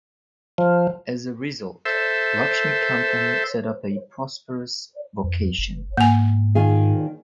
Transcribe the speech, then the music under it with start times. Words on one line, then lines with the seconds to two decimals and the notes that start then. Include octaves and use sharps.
As a result, Lakshmikanthan set up a prosperous vocation.
0.58 F3
1.85 A4 C5 E5
5.24 F2
5.58 F#1
5.97 G#2 A#3 G#5
6.55 D#3 F4 G#4